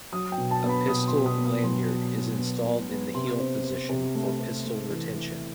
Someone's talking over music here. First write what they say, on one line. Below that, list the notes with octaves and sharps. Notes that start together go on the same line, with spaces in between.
A pistol lanyard is installed in the heel position for pistol retention.
F#3 D#6
G5
B2
A5
B3
B5
B2 D#6
C6
B2
D#6
B3
D#6
F#3 C6
B2
B3
B3
B2
B3
C3 C6
C4
C4
C3
A3
C3
A3
E3